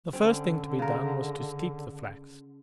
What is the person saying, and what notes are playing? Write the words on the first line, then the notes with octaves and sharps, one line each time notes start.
The first thing to be done was to steep the flax.
D3 C4 C#4
C#3 A#4